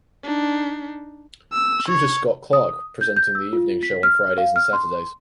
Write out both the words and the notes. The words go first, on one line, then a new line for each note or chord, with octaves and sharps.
Due to Scott Clarke presenting the Evening Show on Fridays and Saturdays.
D4 D#4
E6
C#5
D#6
G6
G6
E6
F4
B6
F6
F5
F6
C6